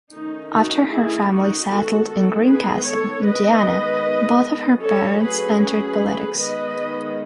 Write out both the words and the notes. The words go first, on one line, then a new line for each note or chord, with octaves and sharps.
After her family settled in Greencastle, Indiana, both of her parents entered politics.
D#3 A3 C#4 D#4
D#4 F#4
E4 G#4
D#4 F#4
D#3 G#3 B3 F#4 A4
F#4 A4
G#4 B4
A4 C#5
D#3 G#3 B3 B4 D#5
F#3 A3 C#4 A4 C#5
G#4 B4
G#4 B4
D#3 G#3 B3 B4 D#5